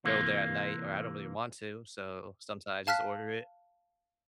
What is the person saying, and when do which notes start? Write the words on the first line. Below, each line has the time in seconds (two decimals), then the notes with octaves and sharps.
go there at night or I don't really want to, so, sometimes I just order it
0.04 C3 E3 A#3 F4
2.87 F5 A5 F6 F#6 B6